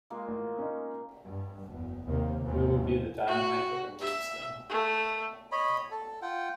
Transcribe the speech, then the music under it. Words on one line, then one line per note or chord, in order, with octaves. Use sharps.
We will be the dynamite that removes them.
G#3 A#3 F4
A1
C#4 D#4
G2
F#1 E2
D#2 C3 A#3
D#2 G#2 E3 F3 C4 C#4
F#4
E5
A3
C#5 D#5 B5
A4
F4 F#5 G5